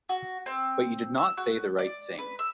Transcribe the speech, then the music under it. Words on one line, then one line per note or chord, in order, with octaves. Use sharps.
But you did not say the right thing.
F#4
C4
E6
F#4
D5
B4
E6